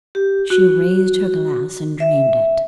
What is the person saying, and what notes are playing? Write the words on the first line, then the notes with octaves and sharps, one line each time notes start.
She raised her glass and drained it.
G4
F#4
E5